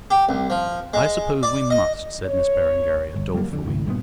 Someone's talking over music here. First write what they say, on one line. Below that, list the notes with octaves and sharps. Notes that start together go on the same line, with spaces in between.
"I suppose we must," said Miss Berengaria, dolefully.
G4
C2
F3
G#3
D5
D#5
C#5
G1
F#3 G3 A#3
F2 D3
G#1 C#2 A2
G2 A#2 D#3 B3